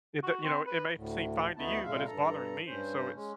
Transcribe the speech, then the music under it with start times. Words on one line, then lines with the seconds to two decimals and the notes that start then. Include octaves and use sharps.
It the, you know, it may seem fine to you, but it's bothering me so it's
0.23 F#4
0.44 C4
0.67 B4
0.95 D2 A2
1.57 D2 A3 B3 D#4 E4 A5
1.82 F2 A#2 C#3 G#3 E5 F5
2.06 G2 A4 A#5
2.67 G2 C#4 C5
3.14 G#3 C#4